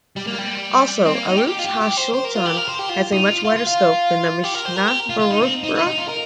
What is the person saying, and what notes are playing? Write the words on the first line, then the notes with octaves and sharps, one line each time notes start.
Also, "Aruch HaShulchan" has a much wider scope than the "Mishnah Berurah".
G3
A#3
G3
C4
A#3
D#4
G4
G4
F4
G4
G4
C5
C5
A#4
F4
G4
A#4
C5
G4
F4
D#4
F4
F4
F4
F4
G4
A#4
C5
A#4
G4
F4
F4
D#4
C4
D#4
D#4
D#4
F4
A#4